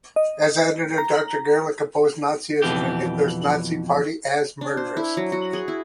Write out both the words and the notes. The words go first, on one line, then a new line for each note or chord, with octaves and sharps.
As editor, Doctor Gerlich opposed Nazism and Hitler's Nazi Party as "murderous".
D#5
A#5
F2 B2 E3 G4
D4
C5
E4
F#3
F#4
G#4
E4